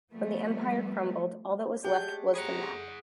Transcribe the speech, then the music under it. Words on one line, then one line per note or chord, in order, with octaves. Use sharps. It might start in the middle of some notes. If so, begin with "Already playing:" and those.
When the Empire crumbled, all that was left was the map.
F3 G3 A3 B3
G#3 A3 G4 G6
G#4 F#5 A#5